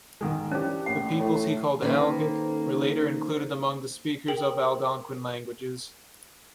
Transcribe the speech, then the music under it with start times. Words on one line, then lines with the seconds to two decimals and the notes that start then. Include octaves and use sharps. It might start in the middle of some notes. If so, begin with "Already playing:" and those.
The peoples he called "Algic" were later included among the speakers of Algonquian languages.
0.21 G#2 D#3 G#3
0.51 E3 C#4 D4 G4 C5 C#5
0.86 A#1 A2 A#3 F#5
1.19 A2 E3 A3
1.82 D#3 A#3 C#4 A4 B4 C5
4.28 G#4 A#4 G5 F#7